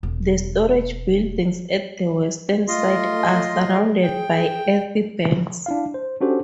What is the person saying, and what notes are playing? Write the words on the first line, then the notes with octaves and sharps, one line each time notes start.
The storage buildings at the western site are surrounded by earth banks.
E1
A3 F4 D#5 C6
G#4
G5
D4 E4 F5
C5
C#4 D4 F#4 G4 A4 C5